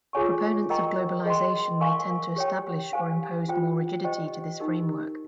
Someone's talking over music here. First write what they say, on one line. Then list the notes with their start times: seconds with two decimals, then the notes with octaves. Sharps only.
Proponents of Globalization may tend to establish or impose more rigidity to this framework.
0.13 F4 G#4 C#5 G#5 C#6
0.70 A#4 D#5 G5 A#5 C#6
1.25 G#4 D#5 G5 C6
1.80 A#4 F5 G#5 C#6
2.36 G4 C#5 G5
2.93 G4 C5 F5 G#5
3.48 F4 C5 G5
4.04 G4 C5 D#5 G5
4.60 D#4 G4 A#4